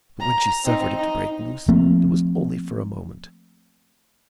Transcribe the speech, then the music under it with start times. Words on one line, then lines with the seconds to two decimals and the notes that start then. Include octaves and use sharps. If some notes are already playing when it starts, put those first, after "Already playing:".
But, when she suffered it to break loose, it was only for a moment.
0.20 A#5
0.64 C4 D#4
0.98 D#4
1.68 F3 A3 A#3 C4